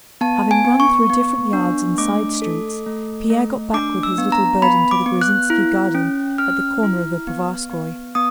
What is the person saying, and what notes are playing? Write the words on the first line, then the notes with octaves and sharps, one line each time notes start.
Having run through different yards and side streets, Pierre got back with his little burden to the Gruzinski garden at the corner of the Povarskoy.
B3 A5
G#5
B3
C#6
B3
D4
A3 D6
A4
A3
A3
D4 D6
E6
B3
A#5
B3 B5
D6
B3
F#6
E4
C#4
C#4 F6
E4
B3
B3
B3 D#6